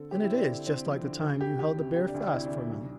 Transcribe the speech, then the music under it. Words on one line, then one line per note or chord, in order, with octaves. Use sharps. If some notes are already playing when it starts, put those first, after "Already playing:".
"And it is just like the time you held the bear fast for me."
Already playing: D3 C4 A4
C4 G4
E4
C4
D4
D3
C4
F3
D3
D2
D2 G4
D2 G4
C3
D2 G4
D4
D2
D4
C3 E4
D4
D2
D4
B1